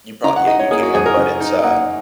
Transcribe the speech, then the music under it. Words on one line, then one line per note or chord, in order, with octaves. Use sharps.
you proba yeah, you can, but it's, uh
C#3 A#5
F#5
D#4 D#5
C#5
A#3 G#4
F#4
F#2 G#4
A#4
C#3
D#4
A#3 F#5